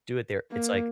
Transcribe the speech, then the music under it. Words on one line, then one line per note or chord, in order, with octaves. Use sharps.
do it there, it's like,
A#3